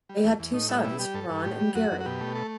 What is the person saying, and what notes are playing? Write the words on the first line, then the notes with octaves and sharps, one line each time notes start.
They had two sons, Ron and Gary.
G3
E2
E2
A2 D#4
G3 E4
B2 E4
G3 G4
G2 A4
G2
A2 G4
G3
F#2 F#4
F#2
F#4
B2 G4
A3
A4